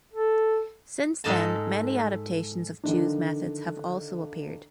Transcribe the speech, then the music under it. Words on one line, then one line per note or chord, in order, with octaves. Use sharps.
Since then, many adaptations of Chu's methods have also appeared.
A4
G#2 A4 D#5 A5
D3 D#3 F3 D4